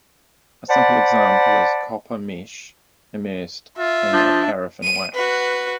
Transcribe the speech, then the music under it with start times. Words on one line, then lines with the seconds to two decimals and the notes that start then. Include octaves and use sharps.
A simple example is a copper-mesh immersed in a paraffin-wax.
0.70 C5 D5 F#5 A5 B5
3.78 F4 E5
4.13 F3 D4
4.83 D#7
5.14 F#4 B4